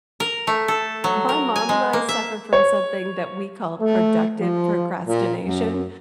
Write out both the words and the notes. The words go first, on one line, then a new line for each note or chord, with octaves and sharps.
My mom and I suffer from something that we call "productive procrastination,"
A#4
A3
A4
F#3
A#4
G#5
G#3
A#3
E5
C#5
A3
F3
A#2
F#2